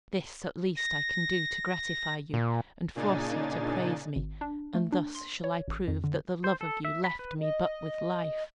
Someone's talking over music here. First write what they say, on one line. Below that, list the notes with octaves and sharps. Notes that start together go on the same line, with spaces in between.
This at least I can do to gratify you and force you to praise me; and thus shall I prove that the love of you left me but with life.
A#6
A#2
A#2 C#3 D4 D#4 G#5 A6
G#1
D4
A3
D4
C6
C#5
A1
F2
D3
C5
A4
E5
B5
B4
D#5